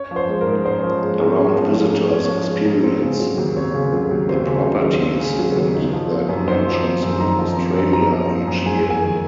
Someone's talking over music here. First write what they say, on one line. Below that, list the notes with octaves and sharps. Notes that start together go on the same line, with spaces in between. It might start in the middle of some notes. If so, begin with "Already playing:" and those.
Around visitors experience the properties and their collections in Australia each year.
Already playing: C#4 C#5
F3
C5
G#3
A#4
G#2
C#4 C5
F3
G#3
G#2
C#4
F3
G#3
G#2
C#4 C#5
F3
G#3
G#2
C4
C#3
F#3
D#2
C4 C#5
C#3
F#3
D#2
C4 C5
C#3
F#3
D#2
C4
C#3
F#3
D#2
D#4
F3
C4
F#2
D#4 C5
F3
C4
F#2
D#4 A#5
F3
C4
F#2
D#4 A#5
F3
C4
F#2
G#3 G#5
F2
G#5
D#3